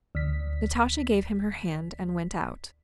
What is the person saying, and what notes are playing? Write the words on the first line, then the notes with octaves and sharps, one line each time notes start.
Natasha gave him her hand and went out.
D2 B6